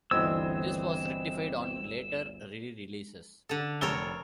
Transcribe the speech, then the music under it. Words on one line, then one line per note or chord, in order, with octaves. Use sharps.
This was rectified on later re-releases.
G1 D2 E3 B3 C4 D#5 E6 G#6
D3 A4
F1 A4 A#4 C#5 E6 G7